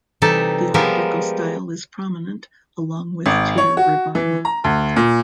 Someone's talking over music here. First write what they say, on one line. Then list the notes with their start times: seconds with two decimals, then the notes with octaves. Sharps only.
The Art Deco style is prominent, along with Tudor Revival.
0.22 C3 E3 G3 D#4 A4 A5
0.74 F3 G3 G#3 B3 A#4 E5
3.26 G#1
3.58 C#5
3.77 F#4
4.15 E3
4.45 A#5
4.64 D2
4.96 A#2